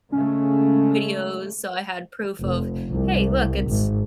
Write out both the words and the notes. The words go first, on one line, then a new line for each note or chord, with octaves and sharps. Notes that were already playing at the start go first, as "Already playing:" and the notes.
videos. So, I had proof of, "Hey, look, it's
C#3 G#3 A3 C#4
F1
C2
G#1